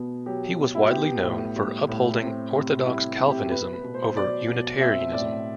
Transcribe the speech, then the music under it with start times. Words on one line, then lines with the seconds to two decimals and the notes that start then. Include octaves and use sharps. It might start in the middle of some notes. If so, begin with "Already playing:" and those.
He was widely known for upholding orthodox Calvinism over Unitarianism.
Already playing: B2 B3
0.26 F#3 G4
0.59 B2
0.75 E4
0.82 F#4
0.91 B3 G4
1.23 A2
1.56 G3
1.89 A2
2.20 C4
2.53 C3
2.85 G3 E4
3.19 C3
3.29 G4
3.51 B3 B4
3.73 B4
3.84 B2
3.94 C5
4.15 F#3 D5
4.48 B2
4.81 C4 E5
5.13 A2 D5